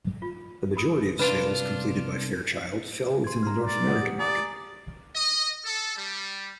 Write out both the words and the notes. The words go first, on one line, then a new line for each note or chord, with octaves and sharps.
The majority of sales completed by Fairchild fell within the North American market.
F4
F#4 B5 D#6
C2 C#4 D4 F4 B4 B5
C6 G#6
A#5 C6 F6
D5
F#5 D#6
G4
D5 G#5 A#5 D#6
D#5
A4
G3